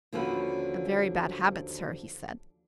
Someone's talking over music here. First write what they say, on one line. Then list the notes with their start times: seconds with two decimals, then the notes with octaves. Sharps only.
"A very bad habit, sir," he said.
0.12 D#2 D3 F3 C#4 F#4 B4